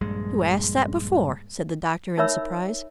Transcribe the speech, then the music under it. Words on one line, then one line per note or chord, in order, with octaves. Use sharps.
"You asked that before," said the doctor in surprise.
A#1 G2 G#3
D#4 A#4 C#5 E5 B5 E6